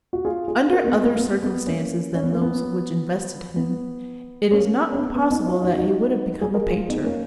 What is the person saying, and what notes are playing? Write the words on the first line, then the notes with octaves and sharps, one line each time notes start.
Under other circumstances than those which invested him, it is not impossible that he would have become a painter.
F#4
F4 G#4
F4 G#4
F#4 A#4
A#3
B3
A#3
A#3
B3
B3
A#3 C#4
C#4
B3
A#3
B3
B3
A#3 C#4
C#4
B3
B3
B3 D#4
C#4 F4
D#4 F#4
D#4 F#4
G#4
A#4
F4 G#4
B3 D#4
A#3 C#4